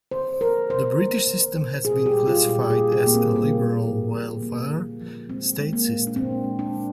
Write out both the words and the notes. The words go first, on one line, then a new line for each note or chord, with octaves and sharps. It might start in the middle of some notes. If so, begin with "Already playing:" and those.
The British system has been classified as a liberal welfare state system.
D3 C5
F3 A#4
D3 C5
A#3
D3
F3
A#2 G#4
G4
G3
F4
A#2
G4
A#3 G#4
G4
A#2
A#3
C4
G3
A#3
D3
F3
D3
A#3
D3
F3
G#3 C4
G#3
A#3
A#2
D4
A#2 C4
G#3
D4
G#3